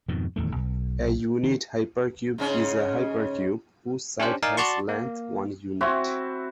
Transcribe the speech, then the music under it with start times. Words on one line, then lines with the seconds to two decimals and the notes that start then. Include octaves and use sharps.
A unit hypercube is a hypercube whose side has length one unit.
0.08 F2 G#2 B2 D#3
0.36 D1 E2 D#3 A3
0.56 B1
1.43 D#3
2.38 G#2 C#3 C#4
4.20 C#4 D4 G4 C5
4.43 D#4 A#4 D5 F5 G#5
4.57 F#4 D5 A5 C6 C#6
4.89 A#3
5.81 C4 E4 F#4